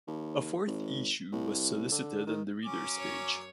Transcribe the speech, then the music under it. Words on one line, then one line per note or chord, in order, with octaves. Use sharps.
A fourth issue was solicited on the reader's page.
D#2
G#1
C2
D3
D#3
F#3 C#4 D6
F#2 C#5